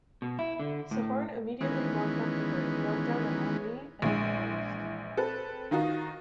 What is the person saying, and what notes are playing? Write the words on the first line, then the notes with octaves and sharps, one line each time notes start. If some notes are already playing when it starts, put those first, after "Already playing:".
Sehorn immediately walked up to her, knelt down on one knee and proposed.
B2
E4
D3
A2
D#3 E3 G#3 B3 C#4
A#1 E3 G#3
C4 A4 B4
D#3 D#4 F4 F#4